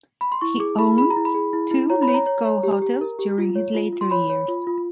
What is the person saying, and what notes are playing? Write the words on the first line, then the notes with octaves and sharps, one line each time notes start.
He owned two Lithgow hotels during his later years.
B5
C6
E4 C#6
G#4 D6
E4 B5
G#4 B5
A#5
E4
B5
G#4
E4
E4
C#5 A#5
B5
C#5
A#5
C#5
C#5
G4
G4
A#4
G4
F4
C#5
F4
F4
C6
C#5 B5
C#5
F4
F4